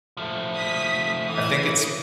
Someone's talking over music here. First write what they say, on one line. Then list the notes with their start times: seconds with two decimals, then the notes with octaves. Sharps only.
I think it's
0.17 F3 A3
0.55 D#6 B6
1.28 E3 D#6